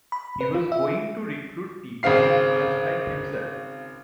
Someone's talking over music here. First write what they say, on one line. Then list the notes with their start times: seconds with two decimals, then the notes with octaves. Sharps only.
He was going to recruit people just like himself.
0.12 B5
0.41 B4
0.54 F4
0.72 E5
2.03 G#1 C#3 C4 F5 C7